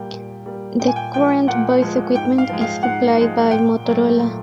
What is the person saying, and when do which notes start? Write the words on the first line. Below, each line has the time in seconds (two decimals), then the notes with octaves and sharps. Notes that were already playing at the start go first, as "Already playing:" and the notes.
The current voice equipment is supplied by Motorola.
Already playing: A#2 G3 A#3 G5
0.12 A#2
0.46 G3 A#3
0.80 A#2 G5
0.88 G#5
0.96 G5
1.14 F3 G#3 G5
1.48 A#2 F#5
1.82 F3 G#3
2.15 G#2 G5
2.38 F5
2.49 F3 G#3
2.61 F5
2.83 G#2 F#5
3.17 F3 G#3
3.51 A#2 G5
3.85 F#3 A3
4.19 A#2